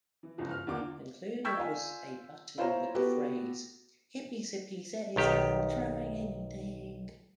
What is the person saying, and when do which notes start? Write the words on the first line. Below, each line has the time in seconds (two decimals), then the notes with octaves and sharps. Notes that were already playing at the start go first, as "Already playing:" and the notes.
Included was a button with the phrase Hippy Sippy says I'll try anything!
0.23 E3
0.38 G1 C#2 E3 F3
0.51 F6
0.67 E2 D3 A#3 D4 F4 D6
1.44 G5 C#6 E6 G6 G#6 B6
1.57 F4 D5 F5 G#5
2.58 E4 F4 C5 C#5 F5 A#5
2.95 B3 F#4 G4 A4 B4
5.16 B1 D#3 G4